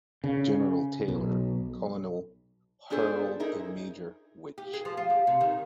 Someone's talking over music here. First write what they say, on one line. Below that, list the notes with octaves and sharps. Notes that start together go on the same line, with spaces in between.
General Taylor, Colonel Harrold and Major Wich.
C#3
B1
B3 D4 F4 G#4 A4 C5
D#4 E4 G#4 A#4
G4
G#4
F3
F4
G4
C3
D#3